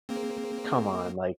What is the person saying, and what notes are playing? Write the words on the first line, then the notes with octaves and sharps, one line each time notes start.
come on, like
A#3 C4 G#4